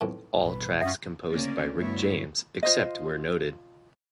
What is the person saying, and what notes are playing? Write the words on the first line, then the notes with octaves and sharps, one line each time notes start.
All tracks composed by Rick James, except where noted.
B1 F2 A2
A1 B2 G3 B4
F#2 C#4 F4 E5 F#5 D#6
D2 C#3 A#3 C#4 D5
D2 G2 A3 B3 E4 C#5
F4 C5 D#5